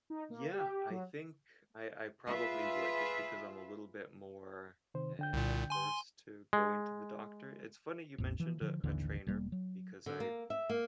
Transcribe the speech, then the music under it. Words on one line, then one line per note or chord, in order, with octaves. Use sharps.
Yeah, I think I I probably would just because I'm a little bit more a adverse to going to the doctor. It's funny you mentioned a a trainer because I,
D#4
A#3
G4
F#3
F4 G#4 B4 E5
C3 D#3 C5
D3 G5 G6
C2 A#2
G#5 C6
G#3
A1 E2
E3 F3
D3 F3
A1 D#2 D3 E3
E1 G3 A#3
F#3
D3
A#3
E5
A#3